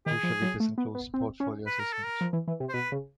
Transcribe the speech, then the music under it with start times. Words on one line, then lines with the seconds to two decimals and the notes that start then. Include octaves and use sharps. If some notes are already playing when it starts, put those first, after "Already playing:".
Usually this includes portfolio assessment.
0.06 D#3 G#4
0.23 F3
0.42 F#3
0.60 A3
0.78 B3
0.95 B3
1.14 C4
1.40 C#4
1.67 B4
1.79 A#4
1.93 A4
2.06 A#4
2.21 F3
2.33 E3
2.48 E3
2.60 C3
2.69 C5
2.74 B2 B4
2.92 C#3